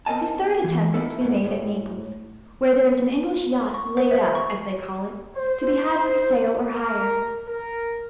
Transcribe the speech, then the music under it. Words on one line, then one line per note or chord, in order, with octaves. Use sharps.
His third attempt is to be made at Naples, where there is an English yacht 'laid up,' as they call it, to be had for sale or hire.
B3 C4 A#4 D#5 G#5 A5
E3
A#3 B3 D#4 E4 A4 B4
G#2 B2
A2
C#6
C5
E5
C#6
C5
A#4
A#4